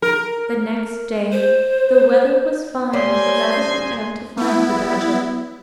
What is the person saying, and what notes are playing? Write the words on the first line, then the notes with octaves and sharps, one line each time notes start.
The next day the weather was fine, and the rabbit went out to find the badger.
A#4
C5
G3 C5 C#5 D#5 G#5 C6
B3 E4